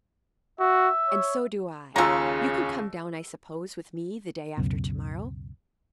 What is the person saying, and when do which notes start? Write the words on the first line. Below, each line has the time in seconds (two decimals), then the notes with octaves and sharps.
"And so do I. You can come down, I suppose, with me the day after to-morrow?"
0.60 F#4 E5
1.09 C#5
1.96 D#2 C#3 G#3 F4 A#5 E6
4.57 C#2 F#2 B2